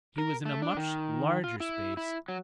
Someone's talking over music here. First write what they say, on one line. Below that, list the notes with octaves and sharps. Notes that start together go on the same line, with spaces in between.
He was in a much larger space.
A#4
A3
D4
D#3
F4
E4
E4
F#3